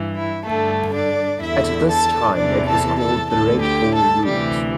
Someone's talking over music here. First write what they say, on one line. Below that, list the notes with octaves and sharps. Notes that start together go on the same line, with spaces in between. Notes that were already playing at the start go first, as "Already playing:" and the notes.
At this time it was called the Red Ball Route.
Already playing: G2 E3
E4
G2 D3 A3 A4
D4 D5
E2 D3 E4 E5
A4 A5
E2 C3 E3 D4 D5
A4 A5
A4 A5
D2 D3 A4 A5
G4 G5
A4 A5
D2 C3 E3 G3 G4